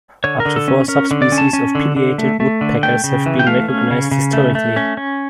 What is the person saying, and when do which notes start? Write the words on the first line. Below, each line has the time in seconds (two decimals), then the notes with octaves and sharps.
Up to four subspecies of pileated woodpeckers have been recognized historically.
0.24 D3 C#5
0.40 A#4
0.45 D3
0.56 A4
0.68 C#4
0.88 C#4 A#4
1.11 D3
1.22 D5
1.32 C#4
1.38 A5
1.53 C#4
1.75 D3
1.96 D3
2.18 A3
2.40 A3
2.61 D3
2.83 A3 G5
3.04 C#3
3.26 E3
3.39 G5
3.47 A3 F5
3.68 C#4
3.91 C#3
4.11 C#3
4.33 A3
4.55 A3
4.76 C#4
4.97 C#4